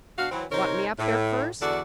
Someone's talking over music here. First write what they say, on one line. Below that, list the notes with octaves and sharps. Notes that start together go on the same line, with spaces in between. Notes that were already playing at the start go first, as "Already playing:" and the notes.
"Want me up there first?"
B2 D4 F#4 F5
E3 F#3 C4
C3 D#4 A#4 C5 C#5
A2
E2 D3 D4 F#4 A4 D5